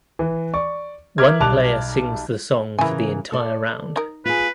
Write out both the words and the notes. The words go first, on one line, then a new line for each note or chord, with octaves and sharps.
One player sings the song for the entire round.
E3
D5 C#6
A#4 E5 D6 F6 G#6
B1 G3 A5 D6 F#6 F7
C#3 E3 E4 A#4 G#5
A4 D5
D#4 A#4
F4 G#4 B4